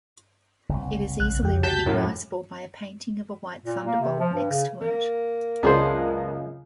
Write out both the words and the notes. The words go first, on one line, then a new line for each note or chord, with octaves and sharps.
It is easily recognizable by a painting of a white thunderbolt next to it.
F#1 C2
A#1 F#6
F2 G4
F#4 G4 A5 G6 B6
F#2 A2
A#2
A#3
C3
F3
G2
C#3
A#3
C#2 F#2 B3 D4 G#4 C5 D#5